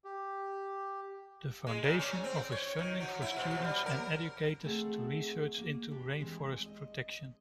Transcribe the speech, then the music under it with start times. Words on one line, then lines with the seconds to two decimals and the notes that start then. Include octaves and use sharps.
The foundation offers funding for students and educators to research into rainforest protection.
0.04 G4
1.67 G#3
1.84 A#2
1.99 C#4
2.24 C4
2.52 C#5
2.79 D#3
3.00 F#3
3.22 E4
3.36 B2
3.51 B2
3.64 G3
3.86 A#4
4.64 A3 C4 G#4 A4 F#5
5.58 A#3
5.91 D4 G4
6.19 E3 G#3 C4
6.65 D#5